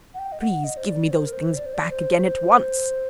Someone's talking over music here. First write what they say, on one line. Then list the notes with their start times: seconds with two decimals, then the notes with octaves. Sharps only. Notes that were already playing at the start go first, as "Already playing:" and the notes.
"Please give me those things back again at once!"
0.14 F#5
0.19 G5
0.32 D#5
0.41 F#5
0.64 D#5
0.77 C5
0.87 D5
1.11 C5
1.26 A#4
1.33 C5
1.56 D5
1.66 C5
1.74 D5
1.91 C5